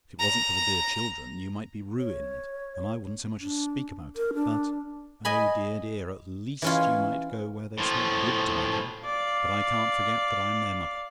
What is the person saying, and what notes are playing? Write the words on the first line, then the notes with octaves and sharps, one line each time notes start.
If it wasn't for the dear children, you might be ruined and I wouldn't so much as speak about it, but--oh, dear, dear! at least you might go where they smoke GOOD tobacco--but I can't forget that I'm their mother.
A#5
C#5
D4
A#4
D4
D#5 G#5 B5
E3 C#4 F4
A2 F3
D5 F5